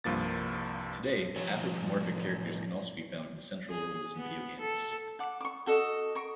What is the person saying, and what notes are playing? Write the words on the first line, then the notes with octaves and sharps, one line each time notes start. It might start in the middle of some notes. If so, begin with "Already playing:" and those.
Today, anthropomorphic characters can also be found in central roles in video games.
C2 G2 F3 A#3 A6
A2 F3 C#5
G#4
B3
A4
F#5 D6
C#6 D6
F#4 A4 D#5
A#4 C#6